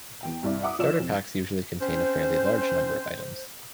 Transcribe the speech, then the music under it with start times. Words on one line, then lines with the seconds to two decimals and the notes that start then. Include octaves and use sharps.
Starter packs usually contain a fairly large number of items.
0.23 E2 G5
0.43 C2 G2 E4 D5
0.62 E5 F#5 D6 D#6
0.79 F3 F4 C#5 D5 E6 E7
1.00 F2
1.81 C4 C#4 C5